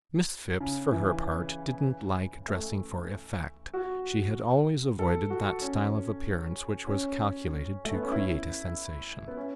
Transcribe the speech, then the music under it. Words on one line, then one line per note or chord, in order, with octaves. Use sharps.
Miss Phipps, for her part, didn't like dressing for effect--she had always avoided that style of appearance which was calculated to create a sensation.
C#3
E3
A3
F#4
A4
F#4
C#4
C#4
A3
B3
C#4
E4
B3
C#4